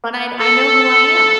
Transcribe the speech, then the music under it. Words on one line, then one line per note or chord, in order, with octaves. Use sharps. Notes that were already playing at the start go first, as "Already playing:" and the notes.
but I I know who I am,
A4